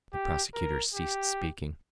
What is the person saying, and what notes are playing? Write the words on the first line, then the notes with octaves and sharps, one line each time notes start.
The prosecutor ceased speaking.
G4
A#4
G4